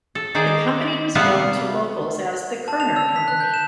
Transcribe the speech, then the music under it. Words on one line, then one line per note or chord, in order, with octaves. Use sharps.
The company was known to locals as The Kerner Company.
A4
D#3 G#4 C5 D5
C3 G3 B3 F4 B4 E5
A5
F7
E6
B6
F#6
G6
E7